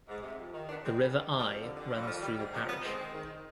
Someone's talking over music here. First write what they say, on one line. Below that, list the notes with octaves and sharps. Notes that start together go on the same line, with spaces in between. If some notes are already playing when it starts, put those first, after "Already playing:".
The River Eye runs through the parish.
G#2
C3
F2
D#3
D#3 B3 D4
D#3 G#3 C4
G#2 G3 B3
D#3 G3
D#3
G3
F2
D3
D3
F2
G3
D#3 F3
D#3 G3
G#2 G3
C3 F3 G#3
F2 G3 B3
D#3 G#3 C4
D#3
D#3